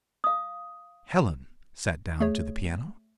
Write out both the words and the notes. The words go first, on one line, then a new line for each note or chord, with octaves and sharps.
Helen sat down to the piano.
F5 D#6
A3 G#4 C#5